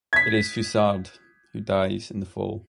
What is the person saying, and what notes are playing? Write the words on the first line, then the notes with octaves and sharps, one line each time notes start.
It is Foussard, who dies in the fall.
G#6 B6